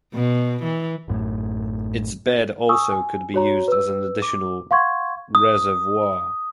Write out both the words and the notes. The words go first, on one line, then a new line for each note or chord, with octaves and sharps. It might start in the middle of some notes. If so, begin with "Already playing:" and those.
Its bed also could be used as an additional reservoir.
B2
E3
A1 F#2 A2
G#5 C#6 D#6 E6
G#5
F#4 C#5 A#5
B4 E6
D6
F5 F#5 C6 C#6 G#6
D#6